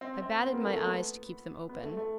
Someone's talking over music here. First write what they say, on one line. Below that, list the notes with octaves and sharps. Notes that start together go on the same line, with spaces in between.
I batted my eyes to keep them open.
C4
C4
B3
A#3
A3
A3
B3
B3
A3
A3